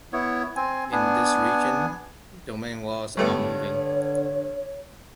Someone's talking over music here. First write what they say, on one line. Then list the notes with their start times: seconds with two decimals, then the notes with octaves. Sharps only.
In this region, domain walls are moving.
0.13 B3 E4 C#5
0.56 C4 G#5
0.92 B3 D4 G#5
3.17 G2 D3 A3 B3 C#5